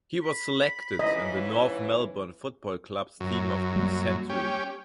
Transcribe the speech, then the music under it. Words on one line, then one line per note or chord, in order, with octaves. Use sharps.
He was selected in the North Melbourne Football Club's Team of the Century.
B5
G#2 C#3 E3 D#5
F#2
G3 A#3
C#4 G4